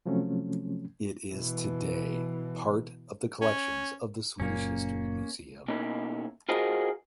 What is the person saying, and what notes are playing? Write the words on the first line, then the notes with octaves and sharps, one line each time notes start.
It is today part of the collections of the Swedish History Museum.
C3 F3 F#3 A3 C4 C#4
B2 E3
C#4
F#1 F#2 A#2 A#3 C#4
B2 A#3 C#4 D#4 E4
F4 F#4 G#4 A#4 C5 D#5